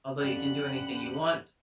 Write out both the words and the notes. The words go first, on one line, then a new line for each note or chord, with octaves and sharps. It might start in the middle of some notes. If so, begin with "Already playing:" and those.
although you can do anything you want,
F2 D3 C#4 G4 F#5 B5